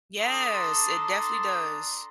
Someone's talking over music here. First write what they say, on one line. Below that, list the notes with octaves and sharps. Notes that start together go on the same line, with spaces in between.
Yes, it definitely does.
D4 A4 A5 A#5 C6 D#6